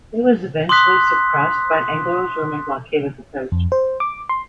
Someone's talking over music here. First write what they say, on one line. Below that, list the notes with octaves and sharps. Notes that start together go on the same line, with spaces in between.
It was eventually suppressed by an Anglo-German blockade of the coast.
C6 D6 D#6 F#6 B6
F2
C5
D6
C6